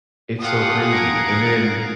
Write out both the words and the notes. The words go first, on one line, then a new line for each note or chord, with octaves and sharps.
It's so crazy, and then
F4 G4 A4 F5 F#5 G#5 D#6
A#5 G#6 D7